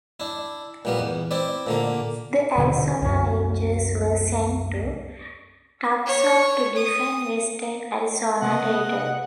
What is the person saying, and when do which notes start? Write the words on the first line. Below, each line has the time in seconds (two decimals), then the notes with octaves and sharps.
The Arizona Rangers were sent to Tucson to defend western Arizona Territory.
0.20 D4 E4
0.85 A#2 G3 B3
0.99 E2
1.31 C4 E4 D5
1.67 A#2 D3 A#3
2.56 D#1 B2 D3
3.02 C2 F#2
6.06 C#5
6.76 D#6
8.42 C3 A#3 B4 D#5 F#5